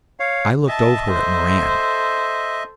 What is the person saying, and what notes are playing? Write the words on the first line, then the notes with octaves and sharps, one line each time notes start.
I looked over at Moran.
C#5 F5
D#5 E5 A5
A4 C5